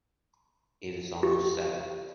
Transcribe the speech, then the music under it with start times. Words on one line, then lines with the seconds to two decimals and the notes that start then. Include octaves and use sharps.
It’s almost seven.
1.23 G4